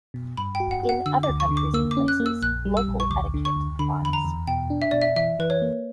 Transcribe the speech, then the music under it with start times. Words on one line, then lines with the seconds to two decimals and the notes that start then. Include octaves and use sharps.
In other countries and places, local etiquette applies.
0.14 B2
0.37 G2 B5
0.55 G5
0.60 F#4
0.71 F#5
0.83 F#4
0.89 F#5
1.06 D3 E6
1.23 D6
1.29 D2
1.40 C#6
1.51 D3
1.57 D6
1.74 A#3 E6
1.91 D6
1.97 C#4
2.08 F#6
2.20 A#3
2.26 E6
2.42 A#1 F#6
2.65 G3
2.77 E6
2.88 A#1
3.00 C#6
3.10 D2 D6
3.34 D3
3.45 C#6
3.56 D2
3.79 D3 B5
4.02 E2 B5
4.13 A#5
4.25 E2
4.47 B2 G5
4.70 D4
4.82 E5
4.91 B2 D5
5.02 E5
5.16 E3 E5
5.39 E3 B4
5.50 C#5
5.62 A#3